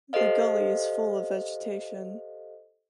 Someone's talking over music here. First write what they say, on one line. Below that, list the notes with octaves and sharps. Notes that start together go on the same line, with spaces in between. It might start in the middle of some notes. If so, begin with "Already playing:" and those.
The gully is full of vegetation.
G4 A4 C5 D#5 F5